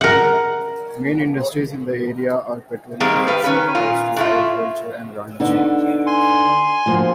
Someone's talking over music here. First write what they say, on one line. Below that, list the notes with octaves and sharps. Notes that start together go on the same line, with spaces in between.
Main industries in the area are petroleum production, forestry, agriculture, and ranching.
A#4 F#5
D#3 G3 G#3 A#3 C4
G3 B4 F5
D#3 C#4 B4
A#2 F4
A2 A3 F4
D3 B3 D#4
G#5 C6
D2 F3 A#3